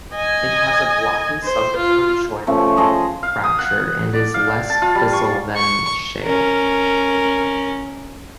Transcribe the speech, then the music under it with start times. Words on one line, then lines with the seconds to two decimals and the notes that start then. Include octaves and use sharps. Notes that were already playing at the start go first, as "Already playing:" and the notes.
It has a blocky subconchoidal fracture, and is less fissile than shale.
0.15 D#5 G#5
1.44 C5
1.77 F4
2.47 F3 A3 C#4
2.77 G#4 D#5 A5 C6
3.23 F5
3.44 D#6
3.59 F#5
4.13 D5
4.34 F5
4.70 A5
4.82 F4
4.95 G3
5.13 C#6
5.57 C#6
6.24 C#4 A#4